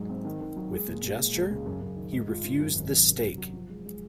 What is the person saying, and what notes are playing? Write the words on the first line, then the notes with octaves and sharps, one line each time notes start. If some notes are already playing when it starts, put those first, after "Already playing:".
With a gesture he refused the stake.
Already playing: G#2 F#3 G#3
C4
D#3
D#3
F#3
G#3
A#2
A#2
G#3
C#2
C#3
F#2
F#2
D#3
G#2
F4
G#2
F#2
G#1
F#2
C3
F#3
F#3
F3
G#3
G#3